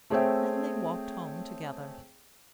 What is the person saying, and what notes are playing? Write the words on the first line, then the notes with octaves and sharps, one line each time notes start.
And they walked home together.
A3 C4 G#4 C#5 E5 G5